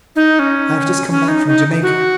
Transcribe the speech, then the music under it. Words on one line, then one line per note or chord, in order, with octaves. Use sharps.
I have just come back from Jamaica.
D#4
C#4
C#4
D#4
D#4
F#4